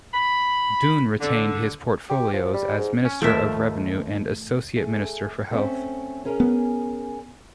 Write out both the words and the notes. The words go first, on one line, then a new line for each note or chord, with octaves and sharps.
Dunne retained his portfolios as Minister of Revenue and Associate Minister for Health.
B5
D3
G4
F3
G3
G#2
C#4
D#2 F3 A3 A#4 E5
A3 G#4
A3 C4 C#4
C#4 G#4 A#4
B3